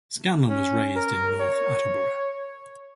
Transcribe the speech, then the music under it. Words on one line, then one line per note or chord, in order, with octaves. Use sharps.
Scanlon was raised in North Attleborough.
C#4
A#4
C#5